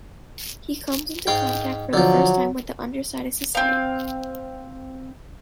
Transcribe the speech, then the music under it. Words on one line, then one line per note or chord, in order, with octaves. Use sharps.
He comes into contact for the first time with the underside of society.
G#2 F5 G5
D3 F3 F#3
C4 F5